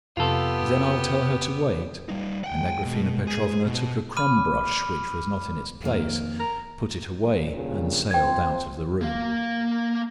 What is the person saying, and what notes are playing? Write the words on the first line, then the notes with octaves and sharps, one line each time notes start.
"Then I'll tell her to wait?" and Agraphena Petrovna took a crumb brush which was not in its place, put it away, and sailed out of the room.
F2 C3 B3 F4 G4 A4 E6
G3 D#4
A#2 G#3 F#5 G5
B2
G#4
B2
B5 D6 F6 D#7
F2 D#3 A#3
A#4
G2 A#2 C#3
F3 C4 C5 G5 G#6
A#3 F5